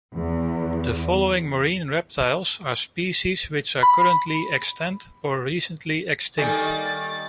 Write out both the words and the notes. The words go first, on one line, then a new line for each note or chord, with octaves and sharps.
The following marine reptiles are species which are currently extant or recently extinct.
E2
B5
D#3 G3 A#3 A4 G#5 G6 A6